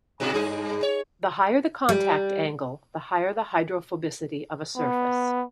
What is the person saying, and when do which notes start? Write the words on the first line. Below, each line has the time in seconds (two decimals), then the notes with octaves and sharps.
The higher the contact angle the higher the hydrophobicity of a surface.
0.20 G#2 B2 F#4
0.34 G2 G#4
0.83 C#5
1.89 G3
4.76 B3